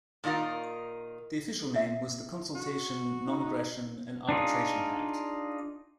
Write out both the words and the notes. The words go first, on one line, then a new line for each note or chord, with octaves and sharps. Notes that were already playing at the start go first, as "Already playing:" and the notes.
The official name was the Consultation, Non-Aggression and Arbitration Pact.
A#2 D#3 D#4 F4 A#4
E5
F#4
D#4
D4 D#4 F4 G#4